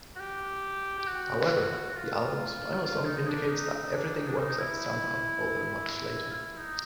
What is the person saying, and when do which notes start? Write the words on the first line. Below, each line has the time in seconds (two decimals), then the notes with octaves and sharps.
However, the album's final song indicates that everything works out somehow, although much later.
0.16 F#4
0.20 G4
0.99 G4
1.08 F#4
1.90 F#4
1.96 F4
2.84 F4
3.05 D#4
3.27 D4
3.49 D#4
3.72 D#4
3.93 D4
4.15 D#4
4.27 D4
4.38 D#4
4.59 E4
6.31 F4
6.35 E4
6.57 D#4